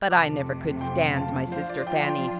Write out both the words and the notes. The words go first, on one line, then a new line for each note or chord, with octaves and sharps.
But I never could stand my sister Fanny.
F2 C3 A3 A5 D6
G5 C6
F5 A5
F3 D4 F4 C5 F5
D5
D5 G5
G5 C6